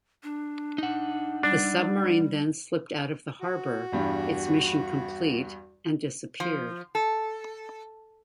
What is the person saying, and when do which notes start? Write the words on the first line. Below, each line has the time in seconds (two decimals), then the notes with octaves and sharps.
The submarine then slipped out of the harbour, its mission complete, and disappeared.
0.23 D4
0.78 D#4 F#5
1.43 G3 D4
3.41 F#4
3.92 E2 G2 G3
6.40 F3
6.95 A4